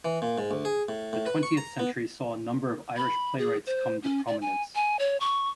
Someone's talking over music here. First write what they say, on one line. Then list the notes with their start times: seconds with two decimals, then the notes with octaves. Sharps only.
The twentieth century saw a number of Irish playwrights come to prominence.
0.05 E3
0.22 A#2
0.38 G#2
0.51 D2
0.65 G#4
0.89 A2
1.13 A2
1.26 B4
1.43 C#6
1.57 A#5
1.79 B3
2.97 B5
3.38 G#4
3.67 C5
4.03 C#4
4.27 D5
4.42 G#5
4.75 G#5
4.99 C#5
5.20 C#6